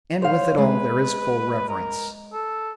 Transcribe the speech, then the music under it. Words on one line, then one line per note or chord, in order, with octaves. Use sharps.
And with it all there is full reverence.
C5 C#5 F5
G#3 B4
A#4
A4